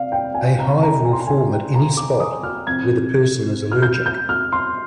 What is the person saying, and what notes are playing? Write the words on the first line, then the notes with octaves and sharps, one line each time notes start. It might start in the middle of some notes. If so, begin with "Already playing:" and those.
A hive will form at any spot where the person is allergic.
Already playing: C3 C4 D5 F5
G5
G#5
A#5
A#5
G#5
C6
A#5
G#5
G5
A#5
D6
D#6
F6
C3 F3 C4 G#6
F6
G6
G6
F6
C6